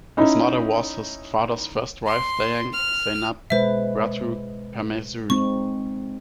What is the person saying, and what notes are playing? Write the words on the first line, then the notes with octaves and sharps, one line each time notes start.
His mother was his father's first wife Dayang Zainab, Ratu Permaisuri.
C#4 D#4 E4
C6
F6
B2 G#3 B4 C5 E5
G#3 C4 D#4 C#6